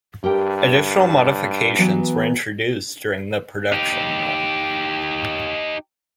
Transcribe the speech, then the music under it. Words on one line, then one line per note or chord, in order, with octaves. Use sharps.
Additional modifications were introduced during the production run.
G2 G4 A#4 G5
E3 F#3 B3
D#4 G4